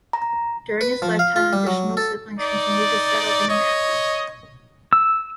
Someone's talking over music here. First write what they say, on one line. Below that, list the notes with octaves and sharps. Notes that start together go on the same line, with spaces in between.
During his lifetime additional siblings continued to settle in America.
A#5
B4
F3
F5
F4
G3
F#3
A4
D#4 D5
C#5 D#5
E6